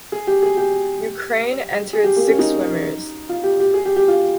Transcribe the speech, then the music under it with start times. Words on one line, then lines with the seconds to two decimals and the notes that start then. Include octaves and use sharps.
Ukraine entered six swimmers.
0.12 G#4
0.27 G4
0.43 G#4
0.57 G4
1.93 G#4
2.04 G4
2.16 A#3
2.27 C#4
2.39 D#4
3.29 F4
3.43 G4
3.60 G4
3.74 G#4
3.85 G4
3.96 G4
4.08 F4